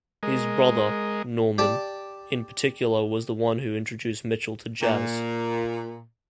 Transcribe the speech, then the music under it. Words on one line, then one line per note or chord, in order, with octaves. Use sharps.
His brother, Norman, in particular was the one who introduced Mitchell to jazz.
G#3 A#4 D#5
G4 D5 A5
A#2